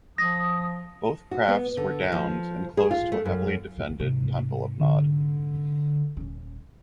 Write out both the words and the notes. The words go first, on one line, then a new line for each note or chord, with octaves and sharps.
Both crafts were downed and close to a heavily defended Temple of Nod.
F3 D#6 A#6
F#4
B3
D3
F3
G#4
F4
A3
F#2
G#2 C3
D3
D#1 C#4